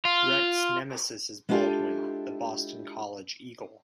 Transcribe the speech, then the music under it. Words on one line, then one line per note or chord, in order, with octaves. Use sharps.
Rhett's nemesis is Baldwin, the Boston College eagle.
F4
G#3 D4 E4 F4 G4 A4